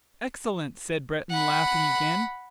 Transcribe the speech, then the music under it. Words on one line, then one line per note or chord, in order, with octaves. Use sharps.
"Excellent!" said Breton, laughing again.
F#5 B5